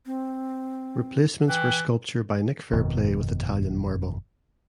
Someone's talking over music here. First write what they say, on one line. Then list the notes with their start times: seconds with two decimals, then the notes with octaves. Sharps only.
Replacements were sculpture by Nick Fairplay with Italian marble.
0.06 C4
1.49 E3 G5
2.73 G1 F2 B2 D#3